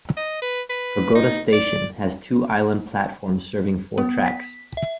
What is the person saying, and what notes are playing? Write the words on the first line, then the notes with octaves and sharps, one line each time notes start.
Kogota Station has two island platforms serving four tracks.
D#5
B4
B4
D#4
D5
B3
B6
E5